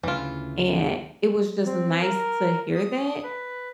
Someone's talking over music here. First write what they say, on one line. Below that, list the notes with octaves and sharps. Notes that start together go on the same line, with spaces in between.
and it was just nice to hear that,
D2 C#3 E3 F4
C4
A#4
D#6
B4